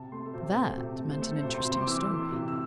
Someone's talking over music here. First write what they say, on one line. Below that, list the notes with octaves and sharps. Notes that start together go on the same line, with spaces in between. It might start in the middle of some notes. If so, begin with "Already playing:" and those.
That meant an interesting story.
Already playing: C3 A5
A3 C6
A4
C3 C5
A3
C3
A3
C5
A3 A4
C5
C3
C6
C3
C6
D6
E3 E6
A3
C3
E6